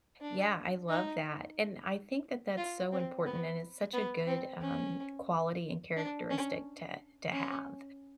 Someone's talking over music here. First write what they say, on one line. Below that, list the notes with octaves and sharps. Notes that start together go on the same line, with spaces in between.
Yeah, I love that, and I think that that's so important and it's such a good, um, quality and characteristic to to have.
D4
D#4
F4
C4
B3
B3
C4
C#4
D4
C#4
C#4